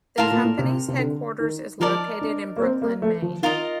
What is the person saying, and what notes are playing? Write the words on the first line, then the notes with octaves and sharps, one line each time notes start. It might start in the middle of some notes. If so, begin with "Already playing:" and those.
The company's headquarters is located in Brooklin, Maine.
A2 A#4 F5 A5 C6
A#2
A2
C3
C3
D3
D#3
F3 D#4 A#4 D5 A5
D4
A#3
C4
A#3
A3
F3
D#3 F4 A#4 D#5